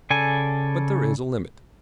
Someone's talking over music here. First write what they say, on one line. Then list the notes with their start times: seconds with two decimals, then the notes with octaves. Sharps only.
But there is a limit.
0.10 C#3 A4 D5 G#5